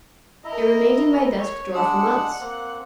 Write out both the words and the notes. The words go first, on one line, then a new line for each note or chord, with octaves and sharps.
It remained in my desk-drawer for months.
E4 A#4 D#5 E5 A#5
C#5
G#3 D4 F#5 E6
A#3 C4